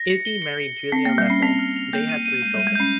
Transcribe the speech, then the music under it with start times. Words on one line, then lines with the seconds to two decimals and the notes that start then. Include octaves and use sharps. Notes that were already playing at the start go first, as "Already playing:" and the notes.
Izzy married Julia Leffel; they had three children.
Already playing: A#6
0.10 C#7
0.25 G7
0.42 C#7
0.60 C#7
0.77 G7
0.92 C4 C7
1.05 A#3
1.09 F6
1.18 G3
1.25 C#4 C7
1.42 C4 F7
1.59 F6
1.76 F7
1.93 A#3 G6
2.09 D#7
2.26 D#7
2.42 G#3 D#7
2.55 G3
2.60 D#7
2.67 G#3
2.75 C#4 G6